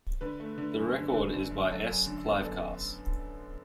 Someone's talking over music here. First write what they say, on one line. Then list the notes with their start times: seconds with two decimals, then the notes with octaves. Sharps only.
The record is by S. Kleivkaas.
0.21 D3 B4
0.40 A3
0.58 D3
0.76 F#2
0.95 D3
1.14 D3
1.33 D3
1.51 F#2
1.69 F#3 A4
1.88 F#2
2.06 D3
2.24 B3
2.44 F#2 A4